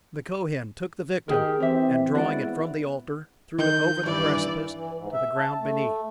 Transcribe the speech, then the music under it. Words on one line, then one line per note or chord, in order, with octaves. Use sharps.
The Kohen took the victim, and drawing it from the altar, threw it over the precipice to the ground beneath.
D#3 G4 G#4 A#4
E3 C4 G4 E5
G#3 B3 E4 F#4 D5
D#3 G6
G2 E3 D5
E3
G#2
E5
A5
A3